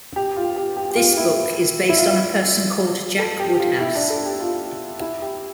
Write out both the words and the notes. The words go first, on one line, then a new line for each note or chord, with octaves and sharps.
This book is based on a person called Jack Woodhouse.
G4
F4
G4
G4
G4
F4
E4
E4
F4
A4
G4
G4
F4
E4
D4
A4
G4
F4
E4
G4